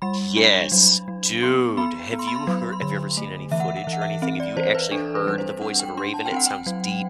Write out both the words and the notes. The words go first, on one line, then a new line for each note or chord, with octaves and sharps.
Yes, dude, have you hear have you ever seen any footage or anything? Have you actually heard the voice of a raven? It sounds deep,
G3 B5
D4
F#3
F#3
B3 C6
B3 B5
B3
C6
B5
C6
F#3
C6
D3 B5
A3
E3 E5
F#5
E5
F#5
E3 E5
F#5
E5
C4 E5
D5
E3 C5
B4
D4 A4
B4
G3 B4
C5
D4 F#5
G5
D4 C6
A5
G5
C4 F#5
G5
F#3